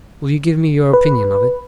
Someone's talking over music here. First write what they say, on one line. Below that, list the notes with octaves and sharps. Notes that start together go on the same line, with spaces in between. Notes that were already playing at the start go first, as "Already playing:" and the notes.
Will you give me your opinion of it?'
B4